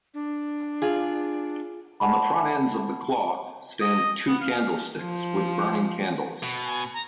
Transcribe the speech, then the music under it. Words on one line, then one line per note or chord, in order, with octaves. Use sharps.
On the front ends of the cloth stand two candlesticks with burning candles.
D4
F4 G#4
F#5 A5 B5
D#5
B3
F5
F3
B2
G#5
A#5